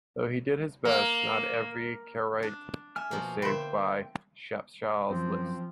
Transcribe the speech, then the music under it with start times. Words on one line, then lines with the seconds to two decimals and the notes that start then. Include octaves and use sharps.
Though he did his best, not every Karaite was saved by Shapshal's list.
0.85 A#3
2.43 D4
2.96 E5 G#5 F6
3.11 B2 F3 A#3
3.42 D3 A#4 C5 E5 G5 B5
5.10 F#2 F3 C4